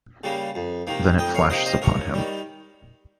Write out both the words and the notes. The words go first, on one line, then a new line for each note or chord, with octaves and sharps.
Then it flashes upon him.
C#3 G3 A#3
F2
C3 D#3 A#3
F2 D#5 G5
C#5 F5
C3 D#3 A#3 C5 D#5
C5 D#5
D#2 A#4 C#5
D#3 G3